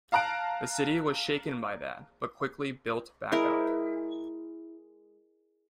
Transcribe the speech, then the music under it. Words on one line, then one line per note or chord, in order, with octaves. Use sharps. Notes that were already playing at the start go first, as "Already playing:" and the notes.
The city was shaken by that, but quickly built back up.
F5 A5 A#5 F#6 D7
G#3 E4 A#4